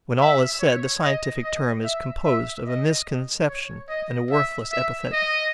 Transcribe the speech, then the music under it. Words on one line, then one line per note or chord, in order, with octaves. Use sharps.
When all is said, the scientific term is composed of a misconception and a worthless epithet.
E5
C#5
D#5
D#5
E5
E5
D#5
C#5
D#5
E5
E5
D#5